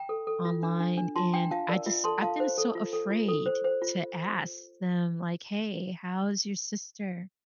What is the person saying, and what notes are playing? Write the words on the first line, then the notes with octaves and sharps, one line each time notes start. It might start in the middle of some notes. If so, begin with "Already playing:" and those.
online, and I just I've been so afraid to ask them, like, "Hey, how's your sister,"
Already playing: G5 A#5
A4
A4
F4
D4
D4
D4
F4 A5 C6
D4 G5 A#5
F4 F5 A5
A#4 D5
F4 E5
A4 A5 C6
F4 F5 A5
C5
A4
F4
A4
F4
A4
C5
C5
F4